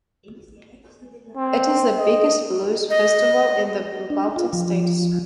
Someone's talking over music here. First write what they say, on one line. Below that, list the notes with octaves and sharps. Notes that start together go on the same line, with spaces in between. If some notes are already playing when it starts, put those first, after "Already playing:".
It is the biggest blues festival in the Baltic states.
C4
D#5
D#5
D4
F4
F3